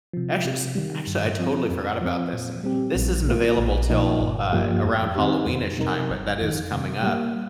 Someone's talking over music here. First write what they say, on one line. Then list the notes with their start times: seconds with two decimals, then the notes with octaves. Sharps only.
actu eh s actually, I totally forgot about this, and this isn't available till, uh, around Halloween-ish time, but that is coming up,
0.13 C3 F3
0.45 C3
0.75 D#3 G3
1.07 G2
1.39 F3 C4 F4
1.70 F2
2.01 F3 C4
2.33 A#2
2.63 G3 C4 G4
2.95 A#1
3.27 A#2 A#3 F4
3.58 A#1
3.90 A#2 F3 D#4
4.21 G1
4.53 G2 F3 A#3 G4
4.84 F2
5.15 D#3 C4 D#4 G4
5.46 F2
5.78 C3 G3 D#4 A#4
6.09 G1
6.40 F2 D#3
6.72 C3
7.03 G3 A#3